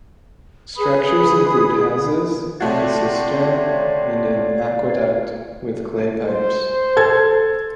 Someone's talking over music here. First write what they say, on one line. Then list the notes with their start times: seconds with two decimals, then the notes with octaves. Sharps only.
Structures include houses, a cistern and an aqueduct with clay pipes.
0.76 G#4 B4 B5 D#6
2.60 C3 A3 F#4 C#5 D5 F5
6.27 C5
6.97 A4 G#6